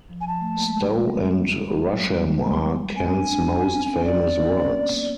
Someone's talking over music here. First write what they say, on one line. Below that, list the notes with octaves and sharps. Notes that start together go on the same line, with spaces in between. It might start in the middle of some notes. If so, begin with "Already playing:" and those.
Stowe and Rousham are Kent's most famous works.
F3
G#5
F3 A5
A3
A#3
G#3
G#3
G3
F#3
G3
G#3
B3
C4 G#5
D4
D4
C#4
C4
C#4
C4 D5
C#4
A#3
B3
A#3